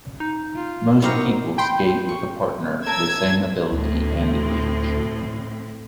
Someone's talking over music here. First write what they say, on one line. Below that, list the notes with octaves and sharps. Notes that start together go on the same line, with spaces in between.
Most people skate with a partner the same ability and age.
D#4
F4
C4 D#4 E4 G4 A#4 C#5 F#5
G5 B5 C6
C#6
A#4 A5 E6 G#6
D2 A2 C4